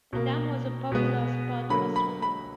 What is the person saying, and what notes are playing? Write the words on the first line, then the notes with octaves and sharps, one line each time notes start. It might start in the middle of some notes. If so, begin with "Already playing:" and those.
The dam was a popular spot for swimming.
B2 A#3
B2 G#3 B3
D3 F#3 A#3 B5
B5
B5